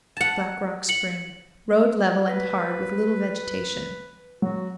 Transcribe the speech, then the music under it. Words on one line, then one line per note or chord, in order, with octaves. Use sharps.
Black Rock Spring.--Road level and hard, with little vegetation.
F#5 A5
C#7 F#7
B4
F#3 F#4